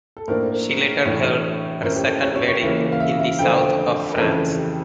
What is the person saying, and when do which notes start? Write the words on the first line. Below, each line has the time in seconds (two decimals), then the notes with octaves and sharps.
She later held her second wedding in the South of France.
0.17 A4
0.28 A2 F3 A#3 D4 A#4
1.05 A2 E3 A3 D4 C#5
1.83 A2 F3 C#4 A#4
1.96 G4
2.03 A4
2.22 C#5
2.36 C#5
2.48 C#5
2.61 C#3 E3 A#3
2.92 F5
3.00 E5
3.20 E5
3.39 F2 D3 F3 A3 G5
4.13 A#4
4.16 F2 C#3 E3 A3 A4
4.56 G4